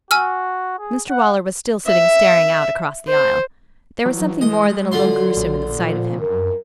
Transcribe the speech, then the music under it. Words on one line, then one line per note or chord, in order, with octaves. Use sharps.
Mr Waller was still sitting staring out across the aisle. There was something more than a little gruesome in the sight of him.
F#4 G#5 E6 F6
G#4
F#5
E5
C5
E3 F#3
G#3 D#5
D3 F#3 F4 C6
A#1
A#2 F3
F#2 A#4